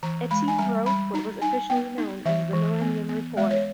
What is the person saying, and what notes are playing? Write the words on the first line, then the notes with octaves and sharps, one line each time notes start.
A team wrote what was officially known as the Millennium Report.
E3 A#5
G#3 B5
G#5
G3 A#5
G3 B5
D#4 A#5
D#4 G#5
B3 G5
D#4
E3 E5
E3
B3
B3
G#3 E5
C#5